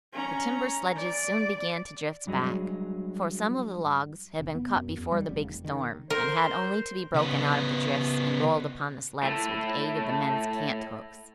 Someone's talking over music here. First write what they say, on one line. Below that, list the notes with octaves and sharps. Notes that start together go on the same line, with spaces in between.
The timber sledges soon began to drift back, for some of the logs had been cut before the big storm, and had only to be broken out of the drifts and rolled upon the sleds with the aid of the men's canthooks.
C#4 A#5
D5
G2 F#3 G#3
F1
B3
F#2
E2
G3
F1
D#3
A#4 C5
C#3 B3
A2 A3